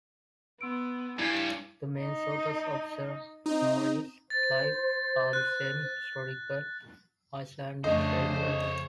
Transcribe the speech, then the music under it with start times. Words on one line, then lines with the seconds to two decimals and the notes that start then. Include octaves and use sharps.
The main sources of Snorri's life are the semi-historical Icelandic sagas.
0.61 B3 C6 E6 D7
1.19 G2 E4 G#5 G#6 B6
1.99 D#4
3.46 C4 D#4
4.30 C5 A6
5.33 F#6
7.84 F2 C#3 A3 D4 C5 C#5 D#5